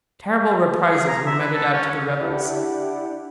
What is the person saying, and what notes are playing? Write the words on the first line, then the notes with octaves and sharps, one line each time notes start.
Terrible reprisals were meted out to the rebels.
G#4
A#5
E5
B4
A4
C#4
D4 E4 G4 D5 F#5